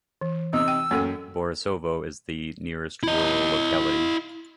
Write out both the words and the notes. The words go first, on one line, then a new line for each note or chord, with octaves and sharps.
Borisovo is the nearest rural locality.
E3
C3 D#4 E6
G5
F#2 A#3 A4 G5
E4 D#5